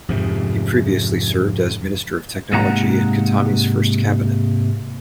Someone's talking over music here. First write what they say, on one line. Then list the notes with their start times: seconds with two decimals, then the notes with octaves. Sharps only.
He previously served as Minister of Technology in Khatami's first cabinet.
0.09 F2 G#2 C3
2.53 G#2 C3 G#3 A#3 F#5 A#5